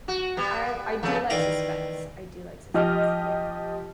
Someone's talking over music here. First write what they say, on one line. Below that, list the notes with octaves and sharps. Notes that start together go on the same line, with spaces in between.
I I do like suspense I do like suspense, yeah.
F#4
G3 B3
F2 C#3 A3
D#3 E3 F4 D5 G5 A#5
F3 G4 D#5 F6